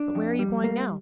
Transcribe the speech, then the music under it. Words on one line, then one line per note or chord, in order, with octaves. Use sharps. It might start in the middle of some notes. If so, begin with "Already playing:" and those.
'But where are you going now?
Already playing: D4
F2
G3
A#3